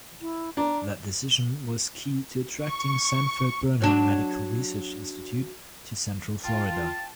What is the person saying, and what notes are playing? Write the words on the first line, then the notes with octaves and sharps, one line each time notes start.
That decision was key to attracting Sanford-Burnham Medical Research Institute to Central Florida.
E4
D4 A#5
C#6
F#3 D4
F4 G5 A5